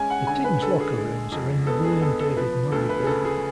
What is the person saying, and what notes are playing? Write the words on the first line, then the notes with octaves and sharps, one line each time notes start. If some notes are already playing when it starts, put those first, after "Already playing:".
The teams locker rooms are in the Willam David Murray Building.
Already playing: G#3 C#4 G#5
F#5
D3 G#5
B4
D3 A4
G#4
G#3
F2
B3 A4
G#4
B3 A4
A4
F3 B4
D2 A4
B4
G#4
C#3 A4
G#4